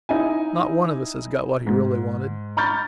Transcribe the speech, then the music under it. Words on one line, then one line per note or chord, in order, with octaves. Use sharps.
Not one of us has got what he really wanted.
D#4 E4 G#5
G#2
A#5 B5 C#6 F6 G6 A6